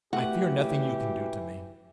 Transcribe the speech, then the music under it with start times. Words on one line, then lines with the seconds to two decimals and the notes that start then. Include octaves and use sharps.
I fear nothing you can do to me.
0.13 E3 A3 F#4 G4 F#5